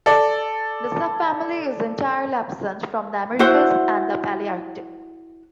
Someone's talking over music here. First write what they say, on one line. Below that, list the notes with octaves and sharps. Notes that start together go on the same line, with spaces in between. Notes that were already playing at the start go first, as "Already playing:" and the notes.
The subfamily is entirely absent from the Americas and the Palaearctic.
A4 D5
E4 F#4 C5 F#5